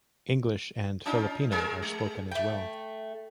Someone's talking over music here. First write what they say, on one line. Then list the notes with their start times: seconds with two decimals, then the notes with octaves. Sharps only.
English and Filipino are spoken as well.
1.05 C#4 D#4 F4
1.51 G3 G#4 A#4
1.82 G#3
2.31 A3 G5